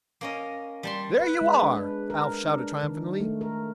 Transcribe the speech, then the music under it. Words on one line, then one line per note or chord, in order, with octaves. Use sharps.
"There you are!" Alf shouted triumphantly.
A#3 C#4 D#5
G3 A5 C6
B4
G#3
D4
B4
A#4
D4
D#3
A3
A#4